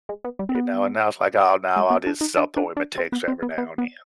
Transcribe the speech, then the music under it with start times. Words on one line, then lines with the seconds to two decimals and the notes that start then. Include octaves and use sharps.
you know, and now it's like, "Oh, no, I'll just I'll throw him a text every now and then."
0.09 G#3
0.24 B3
0.39 G3
0.49 C4
0.55 B3
1.76 G#3
1.90 B3
2.07 D4
2.21 D#4
2.37 D4
2.57 D4
2.77 D4
2.98 C4
3.12 B3
3.28 C4
3.42 B3
3.58 B3
3.78 B3